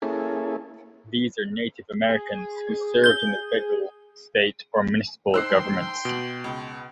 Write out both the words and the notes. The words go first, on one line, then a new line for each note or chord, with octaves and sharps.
These are Native Americans who served in the federal, state, or municipal governments.
A#3 C#4 E4 G#4 A4
G#4
G6 G7
D#4 C5 G5 C6 E6 F#6 C7
B2 D7 F#7
C#2